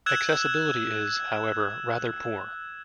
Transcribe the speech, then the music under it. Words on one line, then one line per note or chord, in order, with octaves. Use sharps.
Accessibility is, however, rather poor.
E6 F#6 G#6 E7